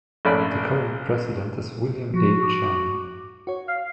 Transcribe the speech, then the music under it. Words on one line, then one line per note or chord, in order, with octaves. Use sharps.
The current President is William A. Chen.
A#1 A3 C#4 D5 B5
F3 F#4
C#6 D6
F#4 C#5
F5 F6